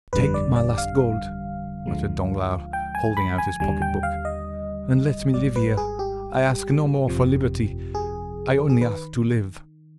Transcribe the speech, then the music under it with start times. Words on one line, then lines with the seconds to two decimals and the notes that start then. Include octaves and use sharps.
"Take my last gold," muttered Danglars, holding out his pocket-book, "and let me live here; I ask no more for liberty--I only ask to live!"
0.13 G1 F2 D3 G3 B4
0.34 D5
0.56 D5
0.78 F5
1.86 D2 D3 F3 G#3
2.73 G5
2.95 G#5
3.17 B5
3.38 G#5
3.60 D#2 D3 G3 G#5
3.82 G5
4.03 F5
4.25 D#5
5.34 G#1 G#2 G3 D5
5.56 B4
5.77 G#4
5.99 G4
7.08 G1 F2 C3 F3
7.95 G#4
8.70 G#4
8.81 D#3 B4